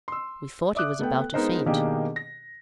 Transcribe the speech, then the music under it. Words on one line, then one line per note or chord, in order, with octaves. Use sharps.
We thought he was about to faint.
C6 E6
D5 E5 D6 D#6 F#6
A3 B3 G5
G#3 B3 D#4 A#4 C5
B2 D#3 A#3 D4 G4 G#4
A#6